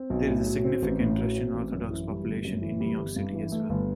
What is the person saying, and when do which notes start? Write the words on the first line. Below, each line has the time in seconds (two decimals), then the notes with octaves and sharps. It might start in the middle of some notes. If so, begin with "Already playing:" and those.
There is a significant Russian Orthodox population in New York City as well.
Already playing: C4
0.10 B1
0.28 A2
0.47 F#3
0.65 C4
0.82 A1
1.00 A2
1.18 F#3
1.36 C4
1.53 A1
1.72 F#2
1.90 E3
2.08 G3
2.26 G1
2.45 F#2
2.62 E3
2.80 G3
2.98 G1
3.16 G2
3.34 E3
3.52 A3
3.69 G1